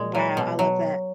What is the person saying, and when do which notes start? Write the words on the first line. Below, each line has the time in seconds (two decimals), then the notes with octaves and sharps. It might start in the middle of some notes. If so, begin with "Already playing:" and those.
wow, I love that.
Already playing: A#2 G#3
0.15 F#3
0.37 B2
0.59 F#3